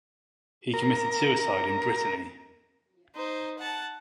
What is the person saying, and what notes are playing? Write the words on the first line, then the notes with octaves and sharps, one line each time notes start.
He committed suicide in Brittany.
A#4
D#4 C5
F#5 A5